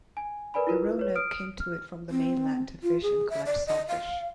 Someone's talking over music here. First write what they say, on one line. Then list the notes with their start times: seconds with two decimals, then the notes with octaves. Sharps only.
The Roanoke came to it from the mainland to fish and collect shellfish.
0.17 G#5
0.54 A#4 B4 D5 G#5 B5
0.67 E4 F4 A#4 B4
0.99 B4 C#5
1.15 D#6 F6 D7
1.60 F6
2.10 C4
2.83 F4
3.02 G#4
3.30 E5
3.46 D5
3.67 D#5
3.88 F5